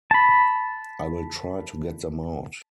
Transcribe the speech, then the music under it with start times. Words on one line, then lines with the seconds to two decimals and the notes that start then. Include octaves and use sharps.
I will try to get them out.
0.11 A5 B5